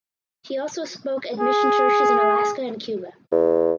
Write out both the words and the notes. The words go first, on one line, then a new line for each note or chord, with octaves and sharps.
He also spoke at mission churches in Alaska and Cuba.
G#4
E2